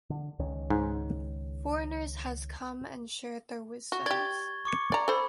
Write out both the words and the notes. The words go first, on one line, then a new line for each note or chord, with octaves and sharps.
Foreigners has come and shared their wisdoms.
D3
C#2 D#3 C#4
G#2
F#4 C#6
G4 D5 G#6 A6 G7
C#6 D6 C#7
D5 A#5
A4 C5 B5